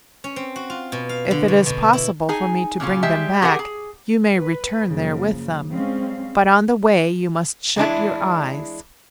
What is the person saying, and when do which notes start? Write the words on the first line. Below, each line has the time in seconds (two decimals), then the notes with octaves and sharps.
If it is possible for me to bring them back, you may return there with them, but on the way you must shut your eyes.
0.24 C#4
0.36 C4
0.56 F#4
0.70 F4
0.92 B2
1.09 F5
1.31 D3
1.48 B2
1.66 B2
1.93 E4
2.29 D#4 G#4 G#5
2.80 A#2 C#3 C#4 F4
3.03 G3 G#3 G4 E5
3.42 G4 G#4 A#4 F#5 G#5
3.59 G#4
4.36 B4
4.88 F#2 C#3 F3 A#3
5.71 G3 G#3 C4 C#4 F5
7.76 E3 G#3 D4 E4